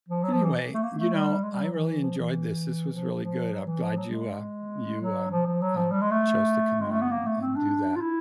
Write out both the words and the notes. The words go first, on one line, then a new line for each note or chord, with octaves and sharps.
Anyway, you know, I really enjoyed this. This was really good. I'm glad you, uh, you, um, um, chose to come on and and do that.
F3
F#3
F3
E3
A3
A#3
A3
G3
G#3
G3
F#3
E3
F3
E3
F3
F3
F#3
E3
F3
F#3
G#3
F#3
F3
F3
F#3
F3
G3
G#3
A3
G#3
A3
B3
A#3
A3
C4
D4
F4
E4